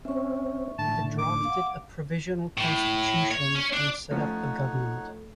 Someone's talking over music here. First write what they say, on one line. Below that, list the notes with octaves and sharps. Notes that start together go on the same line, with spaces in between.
It drafted a provisional constitution and set up a government.
C4 C#4 E5 C#6
A2 D3 A5
D6
F5 F#5
A2
C#5
C#4
D4
F3 A3 C#4 D#4 A4 C#5 F#5